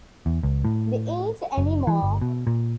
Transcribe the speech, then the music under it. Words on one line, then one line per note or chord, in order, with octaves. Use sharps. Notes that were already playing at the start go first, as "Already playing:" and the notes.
There ain't any more.
E2
C#2
A2
F#1
E3
G1
B2
A#2